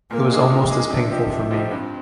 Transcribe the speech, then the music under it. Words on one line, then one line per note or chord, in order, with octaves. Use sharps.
It was almost as painful for me.
A#2 A#3
G#3 D4 G#4
A#2
G#3 D4 G#4
C3 D4
F3 C4 D#4 G4
C3
F3 C4 D#4 G4
G2 C4